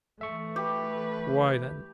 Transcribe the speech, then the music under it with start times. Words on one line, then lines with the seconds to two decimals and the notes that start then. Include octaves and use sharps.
"Why then?"
0.21 E3 A3 E5 C#6
0.56 G4 B4